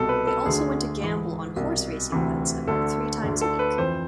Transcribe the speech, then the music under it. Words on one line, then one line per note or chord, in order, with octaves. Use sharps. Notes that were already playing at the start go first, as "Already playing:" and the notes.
They also went to gamble on horse racing events about three times a week.
Already playing: C2 B2 A4
B4
A4
D2 D3 G#4
G#2 E3
C2 B2
D2 C3 E3
D2 D3 A4
D2 D3
A4
B4
F2 E3 C5